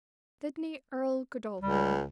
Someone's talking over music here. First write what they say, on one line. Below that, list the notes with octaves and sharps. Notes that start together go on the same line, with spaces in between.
"Sidney Earl Godolphin."
C#2 G3